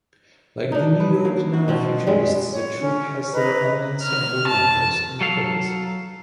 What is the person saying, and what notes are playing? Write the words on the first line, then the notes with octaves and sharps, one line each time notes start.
Like the New York Neo-Futurists, the troupe has their own ensemble members and plays.
D4 D#4
B4
A#3
F#4
B2 F3 C4
G3 G#3
C#5
C#4 C#5
B4 D#5 A#5
F6
A5
F#3 A4 F5